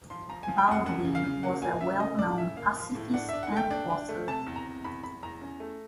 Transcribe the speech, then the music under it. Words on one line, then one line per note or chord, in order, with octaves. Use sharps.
Baldwin was a well-known pacifist and author.
F3 C6
F3 A#5
F3 G#5
G5
F2 F#5
F#2 F#5
C#3
F5
C#3
A#3 F#5
A#3 G#5
C#3 E5
C#4 D#5
A2 D5
C#4 E5
A#3 F5
F3
A2
D4 F#5
D4 E5
F#5
A3 G5
D4
D4
A3
C3 A5
E2
A#5
C3
E2 B5
E2 B5
E2 A#5
C#4
A3